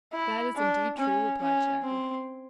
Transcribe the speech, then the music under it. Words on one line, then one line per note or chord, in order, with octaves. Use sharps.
"That is indeed true," replied Shaggy.
E4
D4
C#4
C#4
C4